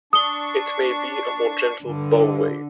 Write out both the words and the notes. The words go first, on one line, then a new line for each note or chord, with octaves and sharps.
It may be a more gentle "bow wave".
D4 C#6 D#6 G7
G2 D3